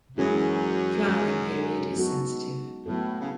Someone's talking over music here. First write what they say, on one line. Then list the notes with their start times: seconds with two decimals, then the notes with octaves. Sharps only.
Flowering period is sensitive.
0.18 F#2 E3 G#3 C#4 E4 G#4
1.07 G#3 C#4 G#4
1.96 F#3 B3 D#4 F#4 A4
2.86 A2 F#3 B3 E4 A4
3.20 C#3